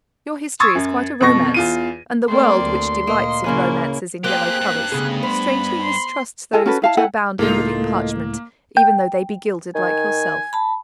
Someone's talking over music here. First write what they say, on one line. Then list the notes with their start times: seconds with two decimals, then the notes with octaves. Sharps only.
Your history is quite a romance, and the world, which delights in romances in yellow covers, strangely mistrusts those which are bound in living parchment, even though they be gilded like yourself.
0.60 C6 C#6 D#6 E6 G#6 A6
0.75 F#2
1.21 F2 B2 C#6 A#6
1.54 E2 F4 D#7
2.28 A3 A#3 C4 D5 C6
2.61 D2
3.07 A#2 A#3 D#5
3.44 C#3 A#3 C#4 E4 B4
4.24 A#3 C4 G4 G#4 F#6
4.61 G2
4.92 D2 C#3 B3 G#4
5.23 C5 B5
5.82 C6
6.53 F4 A4 G#5 A5
6.66 C#4 F#4 A4 B4
6.82 E4 F5 A5
6.97 E4 A4 F#5 G#5
7.39 C#2 A2 A#3 D#4 F4 A4
8.77 G5
9.75 D#3 G#5
10.53 A5 B5